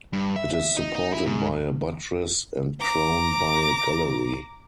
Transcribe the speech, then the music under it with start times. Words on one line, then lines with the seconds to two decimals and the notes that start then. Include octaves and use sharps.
It is supported by a buttress and crowned by a gallery.
0.13 G2
0.36 E5
0.54 E5
0.77 D#4
0.95 D#4
1.13 E4
1.26 G#2
2.80 A#5 D6